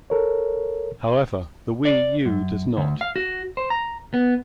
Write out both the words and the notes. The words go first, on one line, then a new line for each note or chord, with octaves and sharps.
However, the Wii U does not.
A4 A#4 C#5
D5
F#2
D2
F5
F#4
C5
A#5
B3